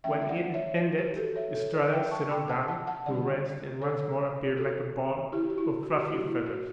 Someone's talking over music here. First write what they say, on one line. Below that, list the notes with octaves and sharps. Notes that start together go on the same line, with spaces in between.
When it ended Strutter settled down to rest and once more appeared like a ball of fluffy feathers.
E3 A3 C#4 E5 G5
E5
D5 F#5
C#5 E5
G4 B4
F#4 A4
C#5 E5
A4 C#5
B4 D5
E5 G5
A5 C#6
G5 B5
F#5 A5
F#5 A5
F#5 A5
D3 G3 D4 D5 F#5
A4 C#5
F#4 A4
E4 G4
F#4
E4
F#4
G4
F#3 A3 E4 F#4
E4
F#4